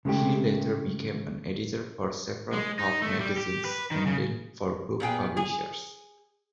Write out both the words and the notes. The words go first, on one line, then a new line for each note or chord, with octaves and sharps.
He later became an editor for several pulp magazines and then for book publishers.
C#3 G#3 A3 G4
G#3
D#4
A3
G3
G4
B4
D#3
C#3
A#2 B3 G#4 G5
G#4 G#5